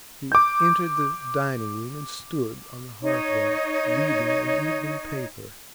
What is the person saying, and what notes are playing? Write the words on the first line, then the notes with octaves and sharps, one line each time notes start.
He entered the dining-room and stood on the hearthrug reading an evening paper.
D6 G6
D#4 C#5